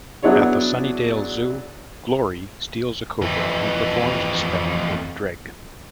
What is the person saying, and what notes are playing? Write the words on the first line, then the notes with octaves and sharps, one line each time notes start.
At the Sunnydale Zoo, Glory steals a cobra and performs the spell with Dreg.
F#3 B3 D4 E4 G#4 C#5
F2 E3